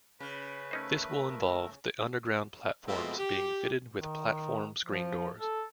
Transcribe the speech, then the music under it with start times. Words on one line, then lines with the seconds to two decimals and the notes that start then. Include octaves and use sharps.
This will involve the underground platforms being fitted with platform screen doors.
0.20 C#3 B4
0.71 A3 C#4 D#4 A#4 C5 E5
2.88 B2 F3 G#3 A3 B3 C4
3.18 G4
3.99 D#3
4.85 F3
5.40 A4